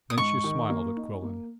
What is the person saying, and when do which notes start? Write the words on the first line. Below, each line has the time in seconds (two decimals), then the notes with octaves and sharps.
Then she smiled at Quillan.
0.10 D#6
0.17 G#2 C#6
0.44 D#3
0.69 A#3
0.97 D#4
1.22 A#3